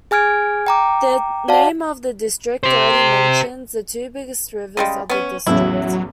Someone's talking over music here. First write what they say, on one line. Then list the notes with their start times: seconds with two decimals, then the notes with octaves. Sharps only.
The name of the district already mentions the two biggest rivers of the district.
0.11 G#4 G#5 F6 G#6 D7
0.67 G5 A#5 D6
1.48 F#4 D5 F5 F#5 A5
2.63 G4 C5
4.77 C#3 G3 G#3
5.10 B3 C#4
5.47 A1 E2 C#3 F#3 E4